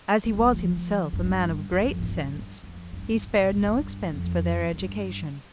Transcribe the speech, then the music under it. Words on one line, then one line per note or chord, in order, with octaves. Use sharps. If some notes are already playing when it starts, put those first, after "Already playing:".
As he was himself a man of great sense, he spared no expense for their education.
G3
A#3
A3
F3
G2
G2
F2
A2
G2
F2
G2
A2
A#2
A2
G2
F2
G2